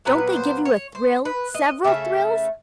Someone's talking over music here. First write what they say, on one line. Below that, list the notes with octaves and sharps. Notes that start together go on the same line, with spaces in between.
Don't they give you a thrill--several thrills?
A#2 F#3 B3 B4
C5
C#5
C5
B4
D#5
C#3 F3 A3 E5